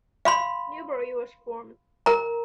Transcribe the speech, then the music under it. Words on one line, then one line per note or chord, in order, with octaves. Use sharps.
Newbury was formed.
F5 B5 C6
A#4 A#5